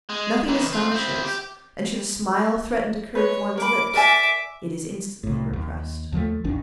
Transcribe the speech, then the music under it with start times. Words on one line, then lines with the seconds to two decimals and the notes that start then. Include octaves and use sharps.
Nothing astonishes; and should a smile threaten to curve one's lips, it is instantly repressed.
0.09 G#3
0.48 D#3 E3
0.73 C4 F4
0.91 C4 E4
1.25 G4
3.15 B4 C#5
3.58 A#4 B5 D6
3.94 A#4 D5 E5 G#5 D6
5.24 C2 A2
5.53 D#2
6.12 D#2 F3 F#3 A3
6.44 G#1 D#2 D#3 D4